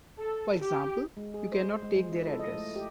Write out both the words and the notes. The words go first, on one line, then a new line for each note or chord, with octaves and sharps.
For example, you cannot take their address.
A4
G4
G#3
G#4
C5
G#3
F3
E4
A4
D#5
A3
G4